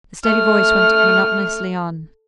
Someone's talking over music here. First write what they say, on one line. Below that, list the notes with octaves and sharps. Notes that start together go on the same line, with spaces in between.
The steady voice went monotonously on.
A3 F6